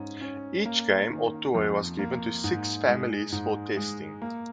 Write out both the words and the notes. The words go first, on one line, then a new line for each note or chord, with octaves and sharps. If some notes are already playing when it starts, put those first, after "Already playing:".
Each game or toy was given to six families for testing.
Already playing: G#2 C#4
C#4
A#3
D#3
F2
A#3
G#2
G#3
G#2
G#3
A#3